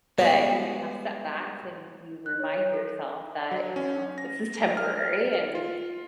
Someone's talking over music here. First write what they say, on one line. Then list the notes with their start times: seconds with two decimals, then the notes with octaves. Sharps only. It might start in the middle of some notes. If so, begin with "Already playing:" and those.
But you're gonna have setbacks and you remind yourself that, you know, this is temporary and
0.19 G3 G#3 B3 C#4 F#4
2.26 F#6
2.39 C#5
2.52 C#5
2.74 A4
3.51 F#3
3.76 C#4
4.18 A#6
4.77 F6
5.55 F4